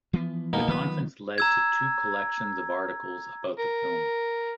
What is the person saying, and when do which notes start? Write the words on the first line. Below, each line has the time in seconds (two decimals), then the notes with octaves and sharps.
The conference led to two collections of articles about the film.
0.13 E3 F3 B3
0.53 B2 A#3 D#4
0.68 D#3 F3 F#3 B3 B4
1.38 A#5 E6 G#6
3.59 A#4